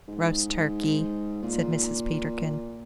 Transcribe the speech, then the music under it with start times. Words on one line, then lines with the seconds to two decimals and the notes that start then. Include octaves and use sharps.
"Roast turkey," said Mrs. Peterkin.
0.08 G#2
1.42 A#2